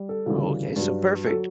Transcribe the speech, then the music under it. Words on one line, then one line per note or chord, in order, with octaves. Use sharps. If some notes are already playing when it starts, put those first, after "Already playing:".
Oh, okay, so perfect.
Already playing: G3
A4
D2 C#3 E3 G3
G2 F#3
A4
F#3